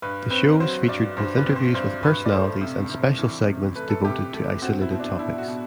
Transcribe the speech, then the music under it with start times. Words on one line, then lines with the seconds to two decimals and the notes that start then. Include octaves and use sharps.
The shows featured both interviews with personalities and special segments devoted to isolated topics.
0.02 G2 B4
0.30 C4 B4
0.60 F#3 C5
0.88 G2 D5
1.17 G2 C5
1.37 B4
1.46 C4
1.56 C5
1.74 G2 C5
2.03 G2 B4
2.26 D5
2.32 A3 C5
2.61 C3
2.90 C3
3.19 E3
3.47 C3
3.76 A3 B4
3.90 A4
4.05 C3 G4
4.33 A3
4.62 C4 F#4
4.81 E4
4.91 B2
5.00 D4
5.19 B2 E4
5.38 F#4
5.48 B2